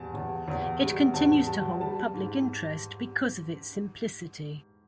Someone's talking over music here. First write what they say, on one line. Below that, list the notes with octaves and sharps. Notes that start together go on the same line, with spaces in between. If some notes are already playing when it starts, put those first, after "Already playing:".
It continues to hold public interest because of its simplicity.
Already playing: E2 G3 G#5 A5
E2
E2
G3
E2 A5
G3 A5
G3 A5
G#2